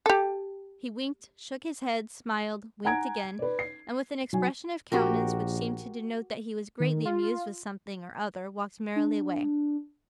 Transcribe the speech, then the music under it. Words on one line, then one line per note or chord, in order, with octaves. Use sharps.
He winked, shook his head, smiled, winked again; and, with an expression of countenance which seemed to denote that he was greatly amused with something or other, walked merrily away.
G4 A4
F#5 G#5 A#5 G#6 D7
B4 D5
C7
F#3 G#5
A#1 F#4 G4 A#4
D#3
F4
D4